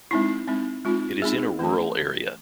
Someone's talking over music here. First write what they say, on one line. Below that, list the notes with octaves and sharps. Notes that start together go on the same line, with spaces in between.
It is in a rural area.
G#3 C4 D#4 E4
G#3 C4 D#4
G#3 C4 D#4 F4
G#3 C4 D#4 G#4
E3 A3 C#4